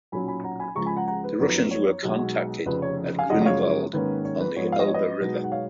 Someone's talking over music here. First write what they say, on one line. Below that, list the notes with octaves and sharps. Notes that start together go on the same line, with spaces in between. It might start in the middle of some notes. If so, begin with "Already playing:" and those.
The Russians were contacted at Grunewald on the Elbe River.
B1 A#2 F#3 C#4 G#5 B5
G#5 B5
F#5 A#5
G#5 B5
C#2 C#3 F3 G#3 A#5 C#6
G#5 B5
F#5 A#5
F#5 A#5
B4
F#2 F3 B3 D#4
C#5
B1 B2 G#3
F1 F2 C#3 F3 B4
C#5
F5 G#5
F#2 C#3 F3 G#3 D#5 F#5
D#5
C#5 F5
C#5
G#2 D#3 A#3 C#4 B4
C#5
B4
G#2 F3 B3 C#5
F5
D#5
C#5
B4 D#5
B1 B2 G#3 B3 D#4
F#5
C#5 F5